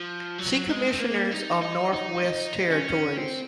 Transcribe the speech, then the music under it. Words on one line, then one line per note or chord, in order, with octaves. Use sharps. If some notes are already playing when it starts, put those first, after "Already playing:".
See Commissioners of Northwest Territories.
Already playing: F3
F#3
G#3
C4
A#3
D#4
D#4
D#4
D#4
C#4
C4